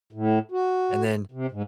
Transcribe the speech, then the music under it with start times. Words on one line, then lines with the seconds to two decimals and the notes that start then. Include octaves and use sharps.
and then
0.12 A2
0.51 F#4
1.31 C3
1.52 G#2